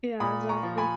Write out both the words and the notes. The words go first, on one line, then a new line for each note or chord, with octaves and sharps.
Yeah, exactly.
A#2 B5 D#6
A#5 C#6
F3
G#5 B5